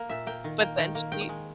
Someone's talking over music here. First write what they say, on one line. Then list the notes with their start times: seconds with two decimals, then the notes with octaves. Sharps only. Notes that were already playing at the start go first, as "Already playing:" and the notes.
but then she
Already playing: A#3
0.09 A#2 E5
0.27 A#3 G5
0.44 D#3
0.61 A#3 G5
0.78 D#3 G5
0.95 A#3
1.12 D#3 G5
1.29 G#3